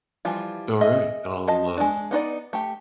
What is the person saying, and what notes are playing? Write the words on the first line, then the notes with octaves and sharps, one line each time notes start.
Alright, I'll, uh
E3 F3 G3 F4
G#4 D#5 E5
F3 D#5 A5
G#3 D4
B3 D#4 C5 D5
A3 G4